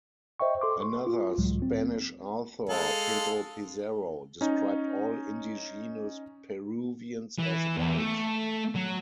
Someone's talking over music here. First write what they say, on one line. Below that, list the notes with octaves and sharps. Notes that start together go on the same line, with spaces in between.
Another Spanish author, Pedro Pizarro, described all indigenous Peruvians as white.
C5 D#5 E5 G5 C#6
A4 C6 D6
C6 C#6
F4
C#2 A2 E3 F#3 G#3
C4
G#3 A4 F5
C#4 D#4
E3
E2
A3
F#3